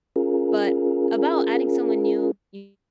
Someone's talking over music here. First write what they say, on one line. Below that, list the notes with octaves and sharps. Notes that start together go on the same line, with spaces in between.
but about adding someone new, you
C#4 F4 G#4 A#4